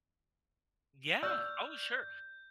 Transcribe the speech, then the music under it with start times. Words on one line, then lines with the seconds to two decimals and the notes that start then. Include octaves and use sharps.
Yeah. Oh, sure.
1.23 D5 C#6 E6 F6 G6